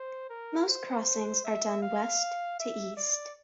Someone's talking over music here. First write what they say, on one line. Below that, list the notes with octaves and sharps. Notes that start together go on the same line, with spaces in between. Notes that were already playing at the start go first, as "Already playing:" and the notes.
Most crossings are done west to east.
Already playing: C5
A#4
C5
E5
F5
E5
D5